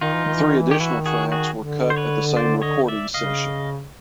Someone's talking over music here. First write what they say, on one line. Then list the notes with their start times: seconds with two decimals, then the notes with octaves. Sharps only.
Three additional tracks were cut at the same recording session.
0.01 D#3 D#4 F4
0.14 E3
0.25 D#3
0.36 E3
0.48 D#3
0.58 E3
0.70 D#3 G4
0.80 E3 E4 F#4
0.94 D#3
1.06 F#4 G#4
1.32 F#4 G#4
1.58 D3
1.90 C5
1.96 B4 C#5
2.36 C5 D5
2.62 C#5 D#5
2.88 D5 E5
3.14 C#3 D#5 F5